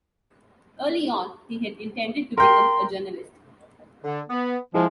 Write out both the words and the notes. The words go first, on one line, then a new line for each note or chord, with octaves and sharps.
Early on, he had intended to become a journalist.
A#4 G5 C6
D3
B3
F2 F3 G#3 E4 G#4